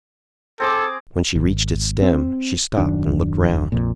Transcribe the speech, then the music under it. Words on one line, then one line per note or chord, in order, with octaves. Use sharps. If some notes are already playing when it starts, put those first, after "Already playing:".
When she reached its stem, she stopped and looked round.
C4 G#4 A4 D6
G#1
C4
D#1 F#2 D#3 D4
A#1 F2 A#2